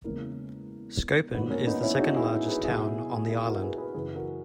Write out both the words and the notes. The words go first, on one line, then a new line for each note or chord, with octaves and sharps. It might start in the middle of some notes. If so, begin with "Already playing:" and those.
Skopun is the second-largest town on the island.
E2 C#3 G#3 A#3
G#2 D#3 F#3 B3
A#3 C#4
B3 D#4
C#4 E4
G#4
D#4 F#4
E4 G#4
G#4 B4
B2 F#3 E4 G#4
E4 G#4
F#4 A#4
G#4 B4
G#4 B4
F#2 C#3 E3 G#4 B4
F#4 A#4